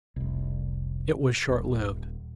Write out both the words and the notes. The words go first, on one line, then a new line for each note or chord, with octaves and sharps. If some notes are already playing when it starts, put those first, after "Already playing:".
It was short-lived.
F1 C2
D#1